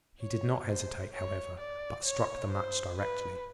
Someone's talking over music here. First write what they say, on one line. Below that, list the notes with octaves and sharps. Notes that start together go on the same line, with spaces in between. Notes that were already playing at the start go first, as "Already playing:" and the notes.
He did not hesitate, however, but struck the match directly.
C#5
C5
C#5
D5
C#5
C5
B4